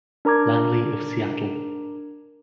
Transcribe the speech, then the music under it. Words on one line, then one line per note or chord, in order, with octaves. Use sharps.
Langley of Seattle.
D4 A#4 A#5 D6 G#6